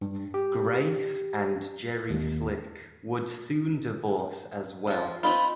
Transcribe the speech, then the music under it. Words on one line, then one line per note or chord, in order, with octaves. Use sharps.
Grace and Jerry Slick would soon divorce as well.
G2
G4
D#2
F3 F4
C4 D#4 F4 B5